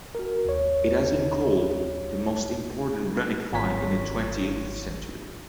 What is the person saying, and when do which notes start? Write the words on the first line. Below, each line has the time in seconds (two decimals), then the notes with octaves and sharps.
It has been called the most important runic find in the twentieth century.
0.15 F#4 A#4
0.45 D#2 C#5
3.53 G#1 F4 C#5 B6